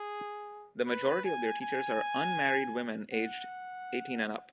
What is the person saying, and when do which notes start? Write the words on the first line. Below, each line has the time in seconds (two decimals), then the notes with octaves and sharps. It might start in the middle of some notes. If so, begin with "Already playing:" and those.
The majority of their teachers are unmarried women aged eighteen and up.
Already playing: G#4
0.86 B4
1.24 G#5
1.61 G#5
3.12 F#5